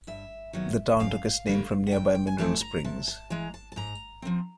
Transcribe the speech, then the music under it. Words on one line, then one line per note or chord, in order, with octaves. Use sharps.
The town took its name from nearby mineral springs.
G2 E5
D#3 F#3 B3
F#2 F5
D3 G3 A#3
F#5
G2 G5
G5
G#5
E3 A3 C4 A5
A#5
C3 A5
A5
E3 G#3 A#5
A5
A5
G#2 A#5
F3 A3 C4